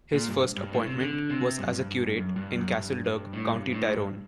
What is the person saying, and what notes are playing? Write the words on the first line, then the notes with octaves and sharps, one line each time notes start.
His first appointment was as a Curate in Castlederg, County Tyrone.
A#2
G2
G2
A2
C3
D3
C3
G2
F#2
G2
F#2
G2
F#2
G2
G2
A2
G2
A2
G2